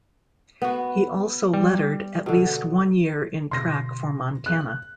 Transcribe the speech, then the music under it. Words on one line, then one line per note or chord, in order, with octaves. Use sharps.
He also lettered at least one year in track for Montana.
B3 F#4
G3
B2 D3
B2 D3 C6 A#6
F#6